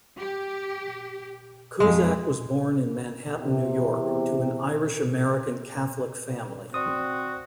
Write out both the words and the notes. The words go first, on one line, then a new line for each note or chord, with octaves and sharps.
Cusack was born in Manhattan, New York, to an Irish-American Catholic family.
G4
F2 G#3
E2 C3
C4 F#4 D5 C6 D#6